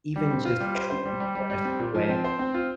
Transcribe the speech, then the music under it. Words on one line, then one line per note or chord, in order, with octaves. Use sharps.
even just treat people in a certain way.
G3
C4
F4
G3
C5
C5
G3
G3
G3
G3
C4
A#2
F3
C4
C5
C4
F4